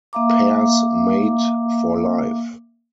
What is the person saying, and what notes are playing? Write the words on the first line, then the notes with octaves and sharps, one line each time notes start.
Pairs mate for life.
A#3 E5 F5 A#5 D6